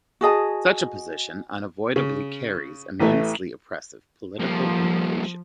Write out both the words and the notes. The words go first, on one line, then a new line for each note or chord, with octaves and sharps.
Such a position unavoidably carries immensely oppressive political implications.
F#4 G#4 D#5 A5
C#3
A1 E3 A3
F3 G3 A#3